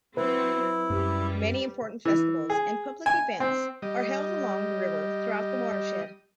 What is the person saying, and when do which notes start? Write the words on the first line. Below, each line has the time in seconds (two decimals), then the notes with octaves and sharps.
Many important festivals and public events are held along the river throughout the watershed.
0.17 F#3 C4 E4 B4
0.90 F#2 G3
2.05 E3
2.50 G#4
3.06 G#5
3.40 C4
3.82 G3 D#5